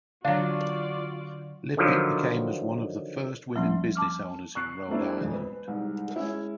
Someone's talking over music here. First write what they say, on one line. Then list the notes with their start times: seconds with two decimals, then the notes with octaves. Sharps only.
Lippitt became as one of the first women business owners in Rhode Island.
0.25 D3 F#3 D4 F4 F#4 D5 F5
1.77 D3 D#3 F3 F#3
3.55 D2 F3 G3 A#3 C4 C#4
3.95 A5 D6 F6
4.55 C#6 F#6 C7
4.88 G3 A3 A#3 C4 D4 E4
5.21 E1 F2
5.33 B4
5.68 C2 G#2
6.16 G#3 C#4 E4